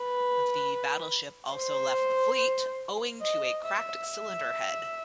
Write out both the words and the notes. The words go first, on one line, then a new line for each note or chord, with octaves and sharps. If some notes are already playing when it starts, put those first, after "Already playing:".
The battleship also left the fleet, owing to a cracked cylinder head.
Already playing: B4
C5
D#5
E5
E5